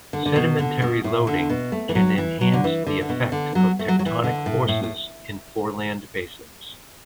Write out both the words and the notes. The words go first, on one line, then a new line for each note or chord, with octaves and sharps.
Sedimentary loading can enhance the effect of tectonic forces in foreland basins.
D3
D3
B2
D3
B2
A2
D3
B2
A3
E3
F#3
E3
F#3
D3
E3
D3
D3
B2
D3
F#3
A3
F#3
F#3
E3
D3
A2
A2
A2